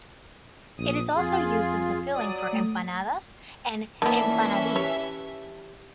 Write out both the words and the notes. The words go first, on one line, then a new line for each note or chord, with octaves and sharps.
It is also used as the filling for empanadas and "empanadillas".
A#1 D#6
F2 F4 G#4
F#3 D5 D#6
A3
D#3 E3 A#3 B3 C#4 D5 E5 A5
G4 C#5